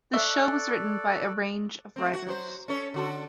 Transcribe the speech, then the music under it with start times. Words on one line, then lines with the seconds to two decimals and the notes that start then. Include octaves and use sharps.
The show was written by a range of writers.
0.13 A4 D5 E5 C#6 F#6
1.96 A3 C4
2.13 F#4
2.27 F#3 G4 C5
2.68 C#4 A4 C#5
2.94 D3 F#4 A4